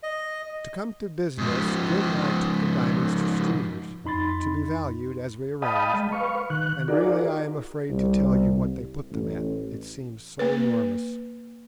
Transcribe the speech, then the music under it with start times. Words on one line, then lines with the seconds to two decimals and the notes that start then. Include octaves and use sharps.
To come to business, Good and I took the diamonds to Streeter's to be valued, as we arranged, and really I am afraid to tell you what they put them at, it seems so enormous.
0.03 D#5
1.38 G#2 F3
4.05 F2 D#4 B5 C6 A6
5.62 D#5 F5 G5 A5 B5 D#6
5.94 G#3
6.12 B4 F5 C#6
6.50 D#3 F#6
6.88 D#4 F4 F#4 G#4 A#4 D5
7.90 C2
9.11 A1
10.39 A#3 B4